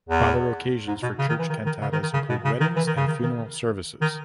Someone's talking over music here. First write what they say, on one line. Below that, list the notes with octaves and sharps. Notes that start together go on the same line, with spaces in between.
Other occasions for church cantatas include weddings and funeral services.
E2
G#2
B2
C#3
D#3
E3
D#3
D#3
C#3
D#3
D#3
C#3
B2
C#3
D#3
E3
D#3
C#3
D#3
D#3
D#3